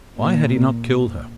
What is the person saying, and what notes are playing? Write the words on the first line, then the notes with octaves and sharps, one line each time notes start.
Why had he not killed her?
A#2